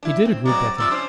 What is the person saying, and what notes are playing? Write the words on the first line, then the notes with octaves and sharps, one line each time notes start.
"He did," agreed Breton.
D4 E4
C4
F#3 G#3 A#3 C4 D5 A#5
C3 F3 G3 D5 E6
C#4 D4 C5